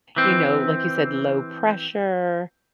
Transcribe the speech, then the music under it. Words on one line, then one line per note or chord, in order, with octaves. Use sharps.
you know, like you said, low pressure,
E3 C4